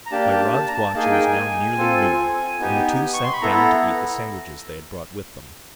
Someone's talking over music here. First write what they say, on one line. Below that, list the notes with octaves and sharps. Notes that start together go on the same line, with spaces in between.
By Rod's watch it was now nearly noon and the two sat down to eat the sandwiches they had brought with them.
A#5
A#3 D4 G4 A5
A5
A5
A#5
A5
A#3 D#4 G#4 A5
G#5
G5
G#5
C4 F4 A4
B3 D#4 G4
C#6
C6
B5
B3 E4 A4 A#5